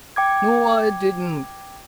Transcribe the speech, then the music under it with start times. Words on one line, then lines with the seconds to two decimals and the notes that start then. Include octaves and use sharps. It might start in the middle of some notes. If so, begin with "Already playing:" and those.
No, I didn't.
0.16 G5 D6 G#6